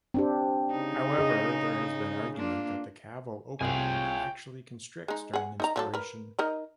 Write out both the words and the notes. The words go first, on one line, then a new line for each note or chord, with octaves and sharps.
However, there has been argument that the caval opening actually constricts during inspiration.
C4 D4 G4
C#3 D#4
G#4 D#5
A#3 D4 F4
C2 C3 F4 G#4 C#5 G5 G#5
G#3 D#4
G#4 F#5
D#4 D#5 A#5
F3 F#3 A4
A#4 B4
D#4 A#4 D#5